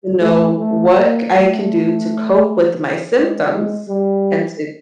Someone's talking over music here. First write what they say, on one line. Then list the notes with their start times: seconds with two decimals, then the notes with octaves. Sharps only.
you know, what c I can do to cope with my symptoms and to
0.21 A3
0.58 A3
0.94 A#3
1.31 A3
3.14 G#3
3.50 G#3
3.88 G3